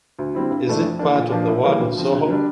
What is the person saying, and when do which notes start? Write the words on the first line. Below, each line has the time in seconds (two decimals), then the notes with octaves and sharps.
It is part of the ward of Soho.
0.19 D2
0.35 D3 G3 C4 E4
0.51 G2
0.67 E3 A3 D4
0.83 F2
0.99 E3 A#3 D4
1.15 A#2
1.32 F3 A#3 D4
1.47 A2
1.64 E3 G3 A#3
1.80 D2
1.96 D3 F3 C4
2.12 D2
2.29 D3 G3 D4